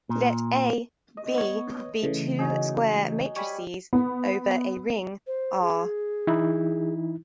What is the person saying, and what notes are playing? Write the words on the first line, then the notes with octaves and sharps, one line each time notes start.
Let "A", "B" be two square matrices over a ring "R".
A#2
D#5
B3 C#5
C#3 E3 A3
F#3 D#4 G#4
G3 C#5 G#5 B5
B3
C5
G#4
E3 D#4 E4